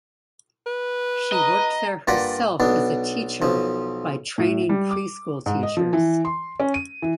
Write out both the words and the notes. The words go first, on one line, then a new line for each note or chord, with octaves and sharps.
She worked there herself as a teacher by training pre-school teachers.
B4
D#5 A#5
G2 A#3 F4 D5 F#5 B5
B1 B3 D4
B1 F3
A2
G3
D6
G#2
D#5
F3
E3
C6
C#4
D#7
E3